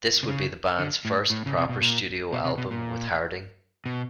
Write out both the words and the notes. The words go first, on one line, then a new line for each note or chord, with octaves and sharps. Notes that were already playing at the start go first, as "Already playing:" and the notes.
This would be the band's first proper studio album with Harding.
C3
C#3
D3
A2
A2
C#3
C3
B2
A#2
B2
C3
B2
A#2
B2